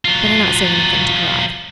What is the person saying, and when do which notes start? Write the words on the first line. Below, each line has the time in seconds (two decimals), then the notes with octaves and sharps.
"Better not say anything to her either."
0.05 F#3 F4